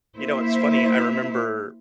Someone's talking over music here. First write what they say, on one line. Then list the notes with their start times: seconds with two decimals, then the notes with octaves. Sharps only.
You know, it's funny, I remember
0.18 A#3 E4 C5 E5